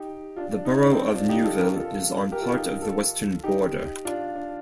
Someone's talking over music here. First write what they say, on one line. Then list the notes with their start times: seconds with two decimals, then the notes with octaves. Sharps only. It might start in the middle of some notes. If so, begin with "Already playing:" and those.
The borough of Newville is on part of the western border.
Already playing: D#4 G4
0.36 D4 F4
0.52 D4
0.65 D#4
0.77 D4
0.92 C4
0.99 D4
1.13 D4 F4
1.29 D#4 G4
1.44 F4 A4
1.60 G4 A#4
1.75 F4 A4
2.32 G4 A#4
2.42 F4 A4
2.52 D#4 G4
2.82 F4 A4
3.44 D#4 G4
4.05 D4 F4
4.36 D4